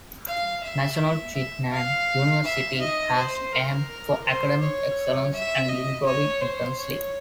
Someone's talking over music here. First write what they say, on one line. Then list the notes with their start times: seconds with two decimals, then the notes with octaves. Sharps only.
National Chi Nan University has aimed for academic excellence and been growing intensely.
0.27 F5
0.64 E5
1.35 E5
1.72 F5
2.44 E5
2.80 D#5
3.16 C5
3.52 A#4
4.24 C5
4.60 C#5
5.33 E5
5.69 D#5
6.05 C#5
6.41 C5
6.77 C#5